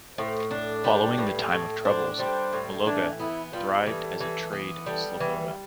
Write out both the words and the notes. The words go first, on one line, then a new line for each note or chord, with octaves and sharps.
Following the Time of Troubles, Mologa thrived as a trade "sloboda".
A2 C5
D4 D5
G3 C5
A2 B4
A2 A4
D4 C5
G3 C5
A2
E3 D4
B3 E4
G3 F4
E3 A4
E3
B3
G3 A4
E3 B4